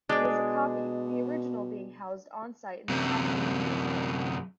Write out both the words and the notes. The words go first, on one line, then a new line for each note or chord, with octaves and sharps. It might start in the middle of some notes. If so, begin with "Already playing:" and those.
It is a copy, the original being housed on-site in the Capitoline museum.
B2 G#3 D4 D5
F#2 C3